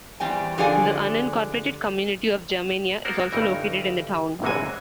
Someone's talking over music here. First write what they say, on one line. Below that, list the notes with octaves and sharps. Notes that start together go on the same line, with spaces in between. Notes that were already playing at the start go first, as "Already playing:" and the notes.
The unincorporated community of Germania is also located in the town.
E2 G3 C4 G5 G#5
D3 F3 G4 G#4 D5 G#5
A#3 B3 F#4 A4 A#4 C5
G1 G2 E3 D#4 A#4
A#1 F#2 E3 G#3 F#4 G#5